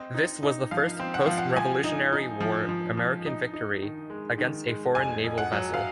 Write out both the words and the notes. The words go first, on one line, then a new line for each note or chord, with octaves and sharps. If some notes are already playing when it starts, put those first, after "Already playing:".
This was the first post-Revolutionary War American victory against a foreign naval vessel.
Already playing: C4 D#5
D#4
D#4
F3 F5
C4
F#5
F3 F5
F#5
F3 G#5
D#4
D#4
F3
F3
F3
D#4
D#4
D#3
G#3
D#3
G#3
F2 G#5
F2
F#5
F#3
F5